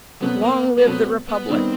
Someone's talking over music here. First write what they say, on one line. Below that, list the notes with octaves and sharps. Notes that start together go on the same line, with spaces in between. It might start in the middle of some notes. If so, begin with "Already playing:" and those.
Long live the Republic!
B2 F#3 A3 B3 C4
A#3
A#3
B2 F#3 A3 B3 C4
B3
D#3 G3 B3 C4 D#4